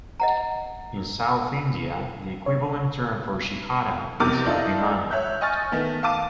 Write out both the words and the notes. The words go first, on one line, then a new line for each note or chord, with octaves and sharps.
In South India, the equivalent term for "shikhara" is "vimana".
D#5 F#5 A#5
C#5
F1 E2 C3 A#4 D6 G6
D4 E4 F4 A4 D#5
C#5 E5 F#6 G6
D#5 G#5 C#6 F6 A6
D#3 A3 B3
F5 A5 D6 D#7